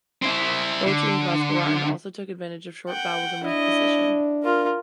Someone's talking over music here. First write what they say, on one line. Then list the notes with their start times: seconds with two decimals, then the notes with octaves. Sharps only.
Poetry in Classical Latin also took advantage of short vowels in weak position.
0.22 C4 E4
0.87 D3
2.89 F#5 G5
3.44 D4 E4 D#5
4.43 F4 A#4